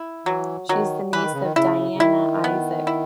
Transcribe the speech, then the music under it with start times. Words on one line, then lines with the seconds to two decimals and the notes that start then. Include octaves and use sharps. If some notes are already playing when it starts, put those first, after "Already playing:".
She is the niece of Diana Isaac.
Already playing: E4
0.26 E3 F#3
0.69 D#3 F#3
1.13 E3 B4
1.23 D#3
1.33 C#3
1.43 D#3
1.56 C#3 E4
1.95 C#3
2.00 D#3 E4
2.44 B3
2.87 E4